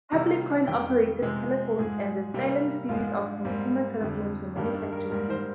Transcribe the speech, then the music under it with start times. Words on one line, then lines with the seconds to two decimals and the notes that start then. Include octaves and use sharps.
Public coin-operated telephones and the "Styleline" series of consumer telephones were manufactured there.
0.12 C3 D#3 G3 A#3 A#5
0.67 F2 D#3 G3 A#3 G5
1.22 C3 F3 G#3
1.79 G#2 F3 G#3 G#4
2.34 C3 G3 A#3
2.89 G#2 F3 G#3 F4
3.17 D4
3.45 G#2 G3 A#3 C4
4.00 F2 D3 G3
4.55 G2 D#3 G3 A#3 D4
4.74 D4
4.92 A#4
5.11 G#2 G3 A#3 A#4
5.30 C5